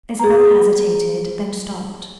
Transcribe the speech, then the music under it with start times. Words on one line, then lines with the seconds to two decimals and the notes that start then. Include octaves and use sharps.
Isabel hesitated, then stopped.
0.20 G#4 A#5